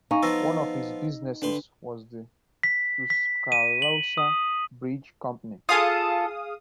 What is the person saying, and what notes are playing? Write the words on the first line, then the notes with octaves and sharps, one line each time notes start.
One of his businesses was the Tuscaloosa Bridge Company.
D#4 F5 G#5 C#6
F3 B3 F4 E6 A#6
D3 D4 B4 C6
B6
B6
D#7
F#7
D#6
F4 G#4 A4 F5 D#6